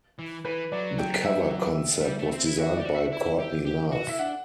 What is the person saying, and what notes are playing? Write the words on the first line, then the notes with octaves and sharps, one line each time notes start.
The cover concept was designed by Courtney Love.
E3
E3 B4
F#3 D5
G5
E5
A3
G3
A3
C4
E4
F#4 E5
G4 D5
F#4
E5
E4
G4
G4
F#4
E4 E5
D4 F#5